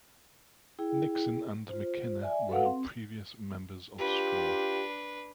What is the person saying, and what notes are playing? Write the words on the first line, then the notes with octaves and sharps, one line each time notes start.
Nixon and McKinna were previous members of Straw.
E4 G#4 G5
F4 C5
D5 E5 G#5
F#4 A4 B4 F5 F#5
C4
D4 F4 G4 B4